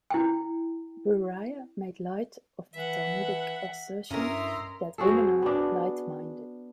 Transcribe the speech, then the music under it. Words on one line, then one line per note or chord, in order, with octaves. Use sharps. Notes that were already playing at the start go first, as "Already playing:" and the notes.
Bruriah made light of the Talmudic assertion that women are "light-minded".
E4 G5
E3 E5 F#5
G2 C#4 E4 A#4 D#5 E5 A#5 C6
C4 F#4 G#4 A4
B3 D4